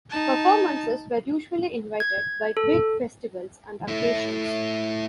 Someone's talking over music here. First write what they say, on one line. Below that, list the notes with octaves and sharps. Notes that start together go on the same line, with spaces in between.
Performances were usually invited by big festivals and occasions.
D#4 A5
G#6
A4
A3 E4